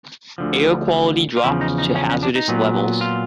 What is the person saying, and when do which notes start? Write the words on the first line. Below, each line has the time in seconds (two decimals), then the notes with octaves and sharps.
Air quality dropped to hazardous levels.
0.38 D2 D3 F3
1.37 F4
1.44 E2 C#3 F3 E4
1.61 D#4
1.78 D#4
1.95 C#4
2.09 C#4
2.23 D4
2.36 D#4
2.48 A#2 F#3 B3
3.01 F4